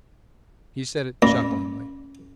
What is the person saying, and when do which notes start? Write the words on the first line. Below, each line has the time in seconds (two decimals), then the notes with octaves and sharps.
He said it chucklingly.
1.22 A#2 C#4